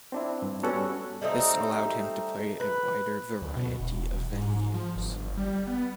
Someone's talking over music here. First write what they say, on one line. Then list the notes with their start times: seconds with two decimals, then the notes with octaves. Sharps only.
This allowed him to play a wider variety of venues.
0.12 C4 D4 E4
0.42 G2
0.63 G3 B3 C#4 F#4 A4 F#5
1.22 G3 A3 C4 D#4
2.60 B4
3.42 D2
3.56 B2
3.80 E1
4.32 G#2
4.74 F3
4.96 G1
5.20 G1
5.37 G3
5.67 B3